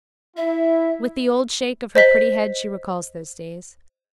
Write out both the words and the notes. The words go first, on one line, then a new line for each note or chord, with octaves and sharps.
With the old shake of her pretty head she recalls those days.
E4 E5
C5 D#5 B6